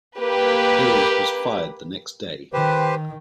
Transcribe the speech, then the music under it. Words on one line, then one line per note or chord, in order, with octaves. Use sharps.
Hayes was fired the next day.
A#3 G4 B4
D#3 G4 B4 C5